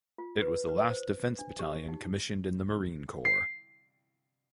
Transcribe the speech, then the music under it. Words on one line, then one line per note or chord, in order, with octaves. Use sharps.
It was the last defense battalion commissioned in the Marine Corps.
F4
B4
B4
C5
D4
G4
D#4
C7